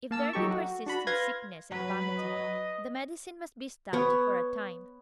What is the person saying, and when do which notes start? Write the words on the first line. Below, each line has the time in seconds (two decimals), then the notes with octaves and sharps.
If there be persistent sickness and vomiting, the medicine must be stopped for a time.
0.11 A#3 A5 E6
0.33 F#3 D#4 G4 A4 C#6
0.51 F#4
0.86 D4 F#4 B5
1.07 B4 F5 C6 G#6 A#6
1.72 F#3 B4
2.18 D#5
3.93 B3 C#5